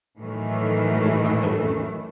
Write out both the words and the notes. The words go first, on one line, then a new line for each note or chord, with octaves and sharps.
Yeah, it's not healthy.
A2 D#3 E3 F#3 A3